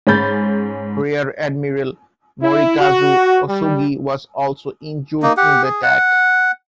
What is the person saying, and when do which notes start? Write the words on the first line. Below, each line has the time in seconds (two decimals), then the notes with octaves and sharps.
Rear Admiral Morikazu Osugi was also injured in the attack.
0.07 G#2 C#4 G#4 B5 G6 A6
2.42 E4
2.80 F#4
3.47 G3
5.23 A#3 D#4
5.37 G4 F#5
5.63 G#4
5.83 F#5